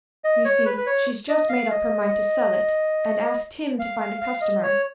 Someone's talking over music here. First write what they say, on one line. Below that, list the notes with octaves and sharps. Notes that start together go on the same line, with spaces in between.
You see, she's just made up her mind to sell it, and asked him to find a customer.
D#5
C#5
B4
B4
C#5
D#5
F5
D#5
F5
F5
F5
D#5
C#5